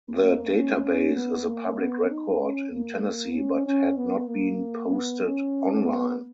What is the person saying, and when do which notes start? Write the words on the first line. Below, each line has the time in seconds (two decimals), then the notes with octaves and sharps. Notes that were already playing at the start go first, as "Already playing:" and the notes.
The database is a public record in Tennessee but had not been posted online.
0.23 A#3
0.54 C#4
0.84 C#4
1.16 B3
1.48 A#3
1.78 B3
2.10 D#4
2.41 C#4
2.73 A#3
3.35 C#4
3.66 C#4
3.97 B3
4.28 A#3
4.91 B3
5.22 C#4
5.84 B3